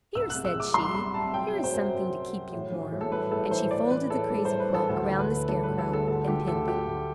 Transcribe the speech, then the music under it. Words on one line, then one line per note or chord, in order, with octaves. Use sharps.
"Here," said she, "here is something to keep you warm," and she folded the crazy quilt around the Scarecrow and pinned it.
C2 E6
C3 F#6
E6
C2
D6
G3 C6
C2 B5
C3 A5
F#3 G5
F#3
C5
F#2
F#2
F#3
F#3
A2
E3
A2
A4
G3 B4
A2 A4
E3 C5
A2 D5
E3 B4
A2 A4
G3
A2 C5
B4
E3 A4
D2 A4
D3
B4
D2
G3 A4
B4
D2
A4
D3 A4
D2 A4
D3 G4
D2 A4
F#3 G4
D2